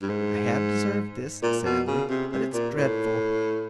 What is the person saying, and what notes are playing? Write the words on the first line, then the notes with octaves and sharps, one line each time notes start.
'I have deserved this,' said Emily, 'but it's dreadful!
G2
G#2
A#2
B2
C#3
C3
C3
A#2
A2